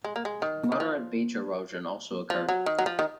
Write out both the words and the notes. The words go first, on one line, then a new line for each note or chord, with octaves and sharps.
Moderate beach erosion also occurred.
G#3
A#3
G#3
D#3
D#3
F3
F3
F#3
D#3
F#3
F3
D#3